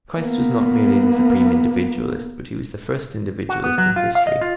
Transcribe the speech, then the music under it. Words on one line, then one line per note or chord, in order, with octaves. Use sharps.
Christ was not merely the supreme individualist, but he was the first individualist in history.
A#3 B3
F#4
B3
F#3
F4
F5
D#5
F4